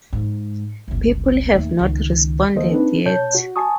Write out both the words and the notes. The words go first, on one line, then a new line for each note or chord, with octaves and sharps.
People have not responded yet.
G#2
G1 C#2
D#2 A3
C#2 D#3
D2 D#3 A#3 A4 C5 D#5
C4 D4 D#4 B4
B2 C#5 A5 G6
F#4
G#5 A5 C#6 D#6